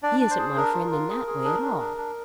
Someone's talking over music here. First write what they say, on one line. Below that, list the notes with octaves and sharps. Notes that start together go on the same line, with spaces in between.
"He isn't my friend in that way at all."
D4 D5
D4
C5
G#4
D4 A#4
F4
F4
G#4
G#4
D4
D4
D4
D4